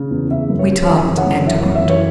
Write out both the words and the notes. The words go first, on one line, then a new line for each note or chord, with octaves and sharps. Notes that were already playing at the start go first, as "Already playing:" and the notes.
We talked and talked.
Already playing: C#3
E2
C#3 E5
F#2
C#5
F#2
C#5
E3 E5
C#3
C#5 F#5
F#2
E3 E5
F#2 C#5
E5
E3 C#5